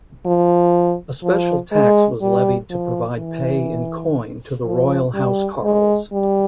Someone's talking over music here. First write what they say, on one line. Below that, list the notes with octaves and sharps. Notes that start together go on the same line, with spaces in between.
A special tax was levied to provide pay in coin to the royal housecarls.
F3
F3
G#3
G3
F3
E3
F3
G3
G#3
G3